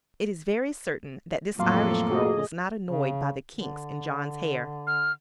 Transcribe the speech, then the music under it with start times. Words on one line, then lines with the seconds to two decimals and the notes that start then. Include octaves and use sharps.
It is very certain, that this Irish girl was not annoyed by the kinks in John's hair.
1.59 F2 A2 F#3 A#3 A4 F5 C6
2.12 F#4 G#4 D#5
2.89 C#3
3.54 D3
4.87 F6